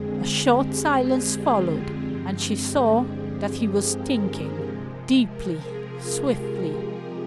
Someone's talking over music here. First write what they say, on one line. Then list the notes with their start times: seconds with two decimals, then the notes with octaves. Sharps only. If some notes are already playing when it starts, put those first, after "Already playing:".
A short silence followed and she saw that he was thinking, deeply, swiftly.
Already playing: F2 D3 G#3 C4 G#4
0.11 G#4
0.42 G4
1.39 F4
1.71 G4
2.03 G2 D3 F3 G#3 C4 G4
2.35 G4
2.67 G#4
3.96 A#4
4.59 C3 F3 G#3
5.24 A#4
5.56 G#4
5.88 F4
6.20 G4